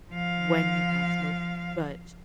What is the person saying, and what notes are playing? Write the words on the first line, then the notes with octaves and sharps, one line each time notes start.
when you have smoked, but
F3 F5